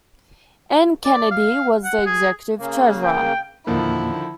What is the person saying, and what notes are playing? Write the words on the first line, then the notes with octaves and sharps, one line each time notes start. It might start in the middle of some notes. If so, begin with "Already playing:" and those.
Anne Kennedy was the Executive Treasurer.
D5
F5
F#5
G#4
C#3 A#3
G5
E2 A#2 D3 D#3 F3 A#3 E4